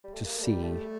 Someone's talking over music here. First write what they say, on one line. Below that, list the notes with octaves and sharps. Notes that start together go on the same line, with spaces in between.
To see.
G3
A3
A#3
A3
G3
A3